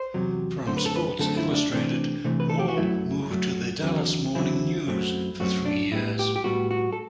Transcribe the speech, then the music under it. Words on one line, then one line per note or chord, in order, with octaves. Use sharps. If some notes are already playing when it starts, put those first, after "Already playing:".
From "Sports Illustrated", Maule moved to "The Dallas Morning News" for three years.
Already playing: C5
E2 C3 F#3
F#2 D3 A3 C4 C5
B4
A4
B4
F#2 D3 A3 C4 A4
E4
D4
C3 E3 A3 C4 D4
C3 E3 A3 C4
B4
A4
G4
F#4
F#2 F#3 A3 E4
F#2 F#3 A3
E2 D3 F#3 C4
E2 D3 F#3 C4 E4
F#2 F#3 A3 C4
F#2 F#3 A3 C4 F#4
D4
A2 G3 B3 E4
G4
G4
A2 G3 B3 F#4
F#4
A4